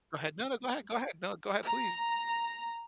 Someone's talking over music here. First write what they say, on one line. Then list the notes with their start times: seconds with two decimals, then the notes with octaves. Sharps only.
go ahead. No, no, go ahead, go ahead. No, go ahead, please.
1.63 A#5